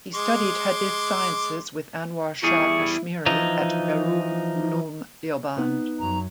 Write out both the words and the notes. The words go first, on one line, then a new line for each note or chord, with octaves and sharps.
He studied hadith sciences with Anwar Shah Kashmiri at Darul Uloom Deoband.
G#3 C6 D6
E2 G3 E4 G#4 C#6
E3 F3 D#4
B3 D#4
F#2 F#3 A#5